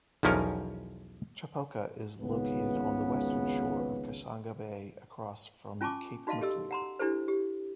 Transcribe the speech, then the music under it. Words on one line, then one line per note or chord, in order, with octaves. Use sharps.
Chipoka is located on the western shore of Kasangha Bay across from Cape Maclear.
B1 E2 F3 C#4 A#4
G#1 C#2 G#2 C#3 B3 B4
C#4 F4 G#5 A5 C#6 D6
D#4 F#4 D#5 F5 A5 C6
G4 A4 D#5 E6
F#5 A#5 C6
D4 E4 G4 A4 C5
G4